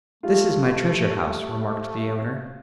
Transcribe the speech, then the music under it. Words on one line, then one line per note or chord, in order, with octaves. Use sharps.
"This is my treasure house," remarked the owner.
G3 A3 F4